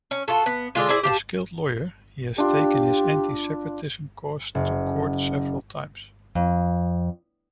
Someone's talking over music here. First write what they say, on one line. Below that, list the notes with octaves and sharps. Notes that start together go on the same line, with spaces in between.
A skilled lawyer, he has taken his anti-separatism cause to court several times.
C#4
F4 F#4 A4
B3
D3 G#3 F4
E4 G#4 C5 D5
G4 F5 A5
D4 F4 G4
F#1
F2